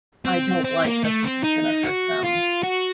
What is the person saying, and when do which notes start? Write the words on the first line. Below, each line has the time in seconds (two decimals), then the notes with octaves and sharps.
I don't like that this is gonna hurt them
0.25 C4
0.64 C4
0.85 A#3
1.04 A3
1.24 C4
1.44 D#4
1.84 F#4
2.24 F4
2.63 F#4